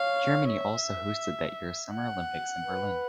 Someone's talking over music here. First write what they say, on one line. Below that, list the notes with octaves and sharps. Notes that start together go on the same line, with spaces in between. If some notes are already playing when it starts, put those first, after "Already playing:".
Germany also hosted that year's Summer Olympics in Berlin.
Already playing: C#5 F5
E5
F#5
B4